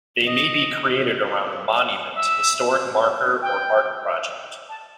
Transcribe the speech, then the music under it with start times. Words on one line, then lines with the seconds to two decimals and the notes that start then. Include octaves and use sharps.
They may be created around a monument, historic marker or art project.
0.25 D#5
2.14 E5
3.42 G5
4.69 A5